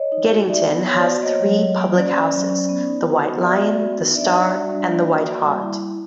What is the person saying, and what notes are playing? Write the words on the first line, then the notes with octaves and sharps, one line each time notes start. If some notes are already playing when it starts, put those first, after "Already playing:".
Geddington has three public houses: The White Lion, The Star, and the White Hart.
Already playing: C#5 D#5
D#4
F#4
D#4 D5 E5
B3
B3 C#5
C5 D5
F#4
A#3 C#5 D#5
F#3
F#3
A#3
C#4 C5 D5
C#4
F#3
C#4
B3
D#4
F#4
B3
F#4 D5 E5
F#4
B3
D#4
D4 D5 E5
F#4
G3
D4
A#3
F#4
A#3
G3
E4
E4